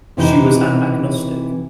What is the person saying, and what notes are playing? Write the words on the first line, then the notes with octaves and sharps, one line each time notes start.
She was an agnostic.
C3 E3 D#4